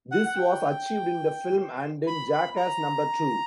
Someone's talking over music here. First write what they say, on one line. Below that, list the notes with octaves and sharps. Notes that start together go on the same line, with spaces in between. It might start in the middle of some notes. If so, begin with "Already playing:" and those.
This was achieved in the film and in "Jackass Number Two".
F#5
F#5
G5
B5
B5
A#5